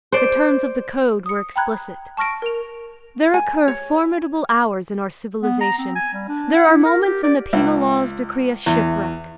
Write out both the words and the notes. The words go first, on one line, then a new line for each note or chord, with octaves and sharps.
The terms of the Code were explicit. There occur formidable hours in our civilization; there are moments when the penal laws decree a shipwreck.
C5 D5
D#6 C#7
G5 A#5 B5 F#6 G#6
A5 C#6 F6 A#6 D7
A#4 F7
G#5
C#5
B3
A#5
C4
G#5
G3
D4
F#5
E4
A#4
G4
D5
C#2
E2